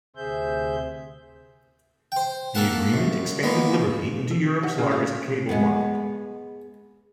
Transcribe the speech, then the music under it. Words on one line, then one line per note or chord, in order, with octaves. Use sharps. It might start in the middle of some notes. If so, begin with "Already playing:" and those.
The agreement expanded Liberty into Europe's largest cable market.
D2 C3 G#4 C5 E5 G6
C5 G5
A#3 A4 A#4 F#5 A5
F#2
G#3 A#3 B3
A4
G4 D#5 F#5
C#3 C4 B4
F4 F#4 F5
G#3 B3